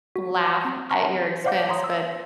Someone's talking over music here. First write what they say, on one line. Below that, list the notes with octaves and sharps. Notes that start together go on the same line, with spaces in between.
laugh at your expense, but
F#4
C4
F#5 A5 A#5 C6 C#6 F6
C5 D5 F5 F#5 D6 G6
C#5 A#5 C6 D#6
E6